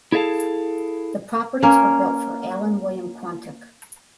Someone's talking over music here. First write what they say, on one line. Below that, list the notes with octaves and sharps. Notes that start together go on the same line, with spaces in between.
The properties were built for Allen William Quantock.
E4 G#4 A4 E5 F5 A5
A#3 C#4